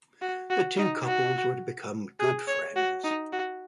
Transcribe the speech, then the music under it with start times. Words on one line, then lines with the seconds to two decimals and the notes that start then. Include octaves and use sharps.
The two couples were to become good friends.
0.22 F#4
0.50 F#4
0.78 D#4
1.06 F#4
2.19 G#4
2.48 C#5
2.76 F#4
3.04 D#4
3.32 F#4